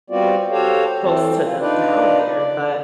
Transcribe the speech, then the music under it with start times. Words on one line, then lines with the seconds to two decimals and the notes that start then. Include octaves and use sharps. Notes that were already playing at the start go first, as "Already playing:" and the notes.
close to them down there. But,
0.10 G3 B3 C4 F4 F#4 D5
0.51 F#4 G4 A4 C5 C#5 F5
1.02 E3 C4 A4
1.43 F4
1.60 D4 D#4 F4 B4 D5
2.35 D5